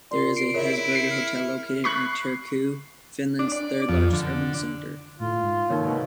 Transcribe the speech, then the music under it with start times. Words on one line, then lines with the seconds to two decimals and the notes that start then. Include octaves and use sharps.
There is a Hesburger Hotel located in Turku, Finland's third largest urban centre.
0.11 F4 A#4 D5 C6
0.37 C7 D7
0.54 E4 G#4 A#4 C#5
0.92 C7 C#7
1.11 F6
1.84 B5 C#6 F#6 C7
3.39 D4
3.52 D5
3.89 F2
4.13 D3
5.20 A2 F4
5.42 G#2
5.70 C3 D#3 A3 A#3 D#4 A#4 C#5
5.84 B2 D3